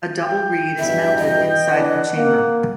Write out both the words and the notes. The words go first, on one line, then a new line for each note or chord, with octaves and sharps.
A double reed is mounted inside a chamber.
G5
E2 G2 B2 E5
D#5
E3 D4 F#5
A#3